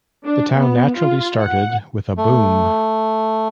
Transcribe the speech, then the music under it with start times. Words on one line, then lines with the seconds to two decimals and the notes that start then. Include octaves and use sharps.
The town naturally started with a boom.
0.25 D4
0.55 B3
0.96 F4
1.40 F#5
2.17 A3